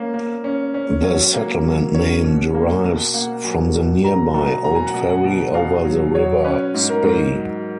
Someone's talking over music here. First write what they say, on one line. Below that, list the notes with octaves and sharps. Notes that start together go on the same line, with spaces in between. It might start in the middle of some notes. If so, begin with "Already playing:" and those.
The settlement name derives from the nearby old ferry over the River Spey.
Already playing: A#3 C#4
A#3
C#4
C#4
F#3 C#5
A#3
F#3
C#4 C#5
B2
A#3
B2
A#3 F#5
F#3 G#5
B2
F#3 A#5
B2 A#5
F#3 A#5
G#5
F#5
B2 G#5
F#5
B2
B2 F5
F#3
F#3 C#5
C#4 B4
G#2
A#4
G#2
F#3